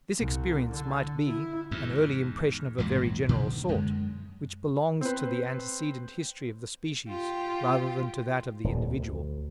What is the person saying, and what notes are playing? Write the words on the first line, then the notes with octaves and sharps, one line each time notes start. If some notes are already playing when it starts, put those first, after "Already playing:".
This experience might be an early impression of a very general sort, which belongs to the antecedent history of the species rather than to that of the individual.
C2
D3
E4
E2 G#2
A#1 E2 G#2 F#3
B2 D3 D#3
F#2 G#3
C4 B4
F4 G4
D#1
D2